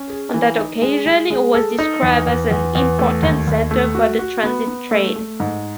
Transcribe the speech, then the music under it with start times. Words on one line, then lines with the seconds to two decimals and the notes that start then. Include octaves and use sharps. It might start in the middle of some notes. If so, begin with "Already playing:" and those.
On that occasion it was described as an "important centre for the transit trade".
Already playing: C#4
0.10 G#4
0.34 E3
0.58 D#4
0.82 G#3
1.06 G#3
1.30 G#3
1.54 A4
1.78 D#4
2.02 E2
2.27 E2
2.51 E2
2.75 E2
2.99 A3
3.22 D#2
3.47 D#2
3.71 A3
3.95 F#4
4.19 F#4
4.44 B3
4.68 B3
4.91 A3
5.16 A3
5.40 G#2